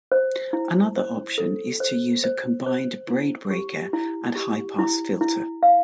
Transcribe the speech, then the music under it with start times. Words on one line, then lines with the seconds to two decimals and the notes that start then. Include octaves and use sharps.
Another option is to use a combined braid breaker and high-pass filter.
0.12 C5
0.53 E4
0.96 C5
1.38 A4
1.80 C5
2.24 C5
2.66 C5
3.08 E4
3.51 G4
3.93 E4
4.36 G4
4.79 E4
5.21 E4
5.63 F5